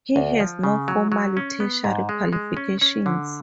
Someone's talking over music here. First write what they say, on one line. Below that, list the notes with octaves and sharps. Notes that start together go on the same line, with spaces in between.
He has no formal tertiary qualifications.
D2
F3
C#3
F#3
F#3
C#4
B3
G#2
G#3
G#3
C#4
C#4
D3